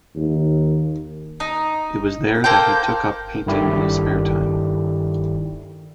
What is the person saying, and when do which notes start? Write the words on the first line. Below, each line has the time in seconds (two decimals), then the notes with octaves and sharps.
It was there that he took up painting in his spare time.
0.16 D#2
1.40 D#4
2.44 A#3 A4 C5 G5
3.46 G2 D#3 E4 G4 A4 D5